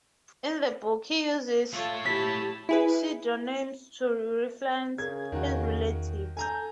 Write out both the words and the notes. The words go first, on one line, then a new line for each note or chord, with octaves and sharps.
In the book he uses pseudonyms to reference his relatives.
A3 F4 A4 C#5
E4 G4 A5 B6
E4 G#4 B4
C#3 G#4 A#4 G#6
E2 D#3 F#4
A4 G#5 A#5 G6